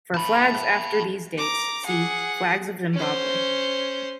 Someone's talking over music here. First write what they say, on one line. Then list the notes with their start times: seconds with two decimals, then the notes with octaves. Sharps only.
For flags after these dates see Flags of Zimbabwe.
0.14 A5 B5
1.38 A#5 D6
1.86 G#4 F#5
2.94 C#4 C5